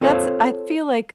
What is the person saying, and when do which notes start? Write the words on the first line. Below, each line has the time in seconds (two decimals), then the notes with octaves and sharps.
that's I feel like
0.01 C4 F4 A4 C5 C#5 F5